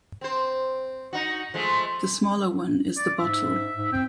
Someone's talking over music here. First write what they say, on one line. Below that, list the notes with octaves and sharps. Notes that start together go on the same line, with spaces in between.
The smaller one is the bottle.
C4 C5
D#4 F#4
F3 G#3 A3
D5
G#2 E5
G#2
C4 G5